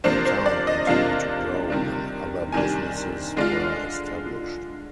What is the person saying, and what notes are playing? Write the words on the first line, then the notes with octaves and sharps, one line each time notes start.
The town continued to grow when other businesses were established.
C3 F3 A#3 D4 F4 C5
C5
D5
D#5
C3 F3 A#3 D4 F4 F5
C3 D#3 G3 D4
C3 D#3 G3 D4 G#5
D3 G#3 D4 F4